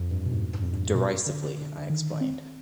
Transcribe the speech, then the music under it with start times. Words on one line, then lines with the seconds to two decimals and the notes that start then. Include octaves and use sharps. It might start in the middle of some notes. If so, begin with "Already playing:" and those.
"Derisively," I explained.
Already playing: F2
0.11 G2
0.26 B2
0.32 G#2
0.62 F2
0.73 G2
0.83 G#2
0.95 B2
1.26 D3
1.58 D3
1.78 D3
1.90 D#3
2.21 C4